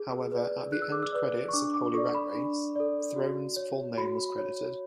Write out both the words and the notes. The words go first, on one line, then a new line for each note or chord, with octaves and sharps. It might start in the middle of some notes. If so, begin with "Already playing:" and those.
However, at the end credits of "Holy Rat Race", Throne's full name was credited.
Already playing: G#4
B4 D5
G#4 F#6
E6
D6
E6
B4 D5
C#6
D4 D6
D6
A4 D5 C#6
B5
D4
A4 D5
F#4
C#5
F#4 B5
C#5